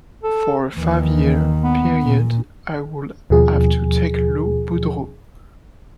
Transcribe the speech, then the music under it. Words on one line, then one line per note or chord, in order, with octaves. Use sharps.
For a five-year period, I would have to take Lou Boudreau.
A4
D#2 D#3 E3
B3
A#2
D#2 B2 F3 G#4